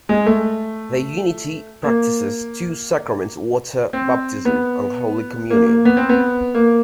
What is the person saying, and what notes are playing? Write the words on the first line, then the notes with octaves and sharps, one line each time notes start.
The Unity practices two sacraments-water baptism and holy communion.
G#3
A3
A#3
C4
B3
A#3
A#3
B3
C4
B3
A#3